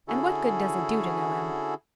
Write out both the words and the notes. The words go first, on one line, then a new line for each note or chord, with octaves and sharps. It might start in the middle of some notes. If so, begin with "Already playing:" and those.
"And what good does it do to know him?"
D3 C#4 E4 F#4 G#4 A4